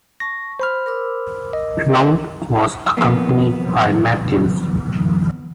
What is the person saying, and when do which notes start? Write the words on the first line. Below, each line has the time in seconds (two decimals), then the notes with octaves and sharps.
Lount was accompanied by Matthews.
0.20 A5 C#6 A#6
0.60 C5 B5 F6
0.86 A#4 D6 E6
1.53 D#5
2.97 F2 A#3 B3